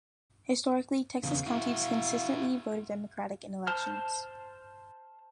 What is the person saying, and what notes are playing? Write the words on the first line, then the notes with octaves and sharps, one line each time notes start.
Historically, Texas County consistently voted Democratic in elections.
E2 C#3 F5
E4 F#4
C5 A5 F6